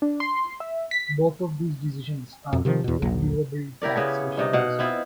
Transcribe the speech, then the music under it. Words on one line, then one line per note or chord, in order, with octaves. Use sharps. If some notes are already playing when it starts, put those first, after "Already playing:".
Both of these decisions are reviewable taxation decisions.
D4
C6
E5
B6
F2 B2
C3 D#3 F3
E2 B2
A#1 D#2 F#3
E4 G4 A#4 D5
C#3 B3 C#5
G2 C3 D#4
B2 F5 F#5
B3 C4 E4 F4